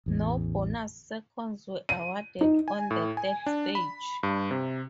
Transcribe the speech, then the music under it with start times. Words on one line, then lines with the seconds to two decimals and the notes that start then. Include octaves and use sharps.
No bonus seconds were awarded on the third stage.
0.06 A1 E2 A2
1.89 D#7
2.41 D#4
2.68 G#5
2.91 A2
3.17 G#5
3.46 D4
3.75 B5
4.23 G2
4.51 C3